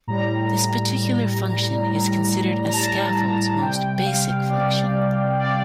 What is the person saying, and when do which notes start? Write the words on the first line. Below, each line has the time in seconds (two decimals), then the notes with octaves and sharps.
This particular function is considered a scaffold's most basic function.
0.07 A2 G3 A#5
2.69 A#5
2.73 A5
3.17 A#5
3.61 C3 G3 G5
4.06 F5
4.50 D5
5.39 D5